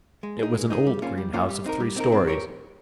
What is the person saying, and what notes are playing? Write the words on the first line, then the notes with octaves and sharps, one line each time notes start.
It was an old green house of three storeys.
G#3
D#4 G#4
G#3
D#4 G#4
G3
A#3 C#4 F4 C5
G3
A#3 C#4 F4 C5
G3
C4 D#4 A#4
G3
C4 D#4 A#4
C4
G4 A#4 C#5